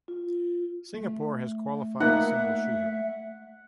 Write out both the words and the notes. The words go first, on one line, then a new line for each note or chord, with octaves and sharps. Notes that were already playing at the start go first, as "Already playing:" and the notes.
Singapore has qualified a single shooter.
F4
A3
A#3 D#4 E5 F#5